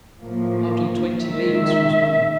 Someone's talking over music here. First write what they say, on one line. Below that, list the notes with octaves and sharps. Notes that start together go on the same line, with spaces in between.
Hardly twenty leagues from Spain!
A2 F3 A#3
D#3 G#3 E5